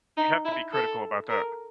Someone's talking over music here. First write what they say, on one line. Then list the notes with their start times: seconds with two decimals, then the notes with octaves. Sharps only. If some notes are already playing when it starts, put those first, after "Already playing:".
you have to be critical about that.
0.17 D#4
0.45 E4
0.73 A4
1.29 A#4